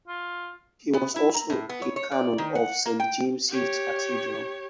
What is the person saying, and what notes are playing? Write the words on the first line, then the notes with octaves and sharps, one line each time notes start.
He was also a canon of Saint James' Cathedral.
F4
B3
E4
A#5
A2
B3
C#5
C#5
D5
D#3
F#5
A#3
G5
G4 C#5